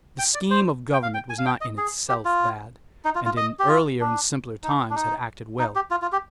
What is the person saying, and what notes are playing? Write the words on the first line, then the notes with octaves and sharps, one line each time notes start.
The scheme of government was not in itself bad, and in earlier and simpler times had acted well.
G5
D5
C5
G5
F5
G5
G#5
F5
G5
D#5
G#4
G4
F4
D#4
F4
F4
D#5
G4
F4
D4
D#4
D4
D#4
D#4
G4
F4
F4
G4